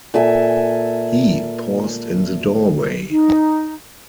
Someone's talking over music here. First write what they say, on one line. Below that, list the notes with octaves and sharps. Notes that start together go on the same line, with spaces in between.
He paused in the doorway.
A#2 A4 E5 G#5
D#4